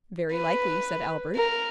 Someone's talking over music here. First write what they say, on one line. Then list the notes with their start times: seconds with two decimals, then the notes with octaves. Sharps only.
"Very likely," said Albert.
0.33 B4
1.36 A#4